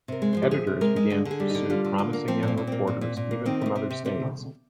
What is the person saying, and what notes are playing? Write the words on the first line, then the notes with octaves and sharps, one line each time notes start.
Editors began to pursue promising young reporters, even from other states.
C3 A#4
G#3
F3 C5
G4
C3 G#4
C3
G#3 A#4
G#3
D3 G#4
D3
G#4
G3
D3 D#4
G3 F4
D3
D3 F4
A#3
F3 C4
A#2 C4
A#2
A#3 C4
A#2
A#2
A#2
A#3
D#3 C4
C3 A#3
C3 C4
C3
C3 A#3